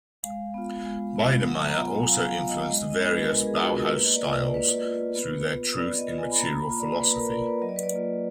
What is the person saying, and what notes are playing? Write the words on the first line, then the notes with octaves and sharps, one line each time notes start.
Biedermeier also influenced the various Bauhaus styles through their truth in material philosophy.
G#3 F5
B3 F4
G#3
B3 F4
F#3 F#5
A#5
B3 F4
G#5
F#3 F5
F5
B3 F4
D#5
G#3 D#5
D#5
B3 D4 F4
B4
G#3 A#4
G#4
B3 D4 F4 F#4
A#4
A#3 B4
D#5
D5
F4
D5
D5
A#3 B4
F4
B3
F4
B3 D5
D#5
F4
G#5
B5
A#3 A#5
B5
F4
D5
A#3 B4
A#4
F4 D5
B4
F#3 D#5
D5
B4
D5
A#3 F4